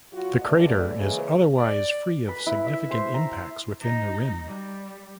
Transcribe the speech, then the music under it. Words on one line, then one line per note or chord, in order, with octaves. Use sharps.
The crater is otherwise free of significant impacts within the rim.
F#3 F4 F#4
E2 A2 D3 A3 D5
C#3 E3 G#3 A#3
D5
B4
E4
E5
C5
A#5
D#4
G3